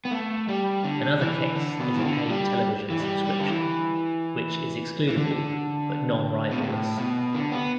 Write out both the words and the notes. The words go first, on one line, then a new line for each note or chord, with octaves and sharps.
Another case is a pay television subscription, which is excludable but non-rivalrous.
B3
A3
G3
D3
E3
D3
B2
E3
D3
G3
E3
G3
G3
D3
E3
E3
D3
B2
A2
B2
D3
B3